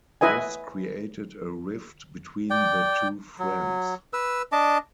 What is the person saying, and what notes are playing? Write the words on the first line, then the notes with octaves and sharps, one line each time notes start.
This created a rift between the two friends.
E4 B4 D#5 G#5
D5 G5
F#3
B4 E6
D4 D#5 A5 D6